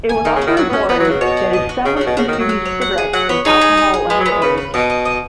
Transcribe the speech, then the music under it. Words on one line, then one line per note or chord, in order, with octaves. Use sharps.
It was also reported that his son was consuming cigarettes and alcohol underage.
G#5
D#3 D#4
C#3
F#4
D#3
F#3 F#4
B3
C#4 F#4
B3 D#4
F#3
C#3 F#4
B2 C#5
F#4
D#5
F#4
C#3 F#4
C#3
F#4
B2
C#3 F#4
D#3
F#4
F#3
F#4
C#5
F#5
G#4
F#3 F#5
B3 C#5
D#4 G#4
G#4
G#4
G#4
G#3 B3
F#3
B3
G#3
C#3 B4
B4
B2 D#5
D#5
D#5